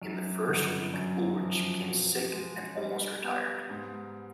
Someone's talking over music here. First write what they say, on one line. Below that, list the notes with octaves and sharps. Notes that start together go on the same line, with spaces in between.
In the first week, Ullrich became sick and almost retired.
F#2
G1
F#2
F3
B2
G#3
G3
B3
G#2